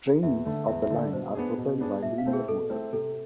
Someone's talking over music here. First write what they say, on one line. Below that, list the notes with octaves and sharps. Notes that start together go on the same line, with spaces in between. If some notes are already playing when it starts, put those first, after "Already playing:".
Trains of the line are propelled by linear motors.
E2 E5
D3 A3
E2 E5
E5
D3 A3
D5
B2 C5
B3 D4 G#4
B2
B3 D4 G#4
B2 E5
F5
A3 C4 E4
G#4
B2 A4
A3 C4 E4
C3 A4